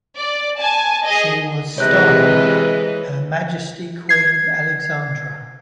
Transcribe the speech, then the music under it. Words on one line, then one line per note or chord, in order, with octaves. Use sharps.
She was styled "Her Majesty Queen Alexandra".
D5
G#5 A5
G#4 D#5
C3 E3 G#3 B4 C#5 D#5 F#6 A#6
G#6 C7